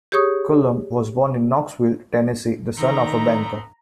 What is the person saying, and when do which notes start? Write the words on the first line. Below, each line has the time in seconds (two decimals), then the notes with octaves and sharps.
Cullum was born in Knoxville, Tennessee, the son of a banker.
0.12 G4 G#4 C#5 C#6 D#6
2.77 D#3 A3 B3 C4 A#5